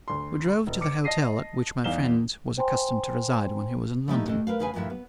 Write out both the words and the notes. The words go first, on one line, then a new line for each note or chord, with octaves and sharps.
We drove to the hotel at which my friend was accustomed to reside when he was in London.
D2 C6
E1
D6 C#7
D#5 A5 A#6 C7 D#7
E2 D#4 F5 E7 G7
C5 G5 G#5 A#5 C6
F3 G3 A3 C4 D#4 E4
D2 A4 D#5
A#4 B4 F5
E2 C#3 G#4 B4 F5 G#5
D2 G2 A#2 F3 E4 E5
B3